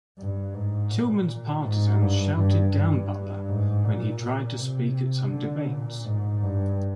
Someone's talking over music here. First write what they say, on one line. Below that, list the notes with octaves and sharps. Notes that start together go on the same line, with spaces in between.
Tillman's partisans shouted down Butler when he tried to speak at some debates.
G2
G#2
A#2
G#2
G2
G2
G2
G#2
A#2
A#2
C3
D3
A#2
G#2
G2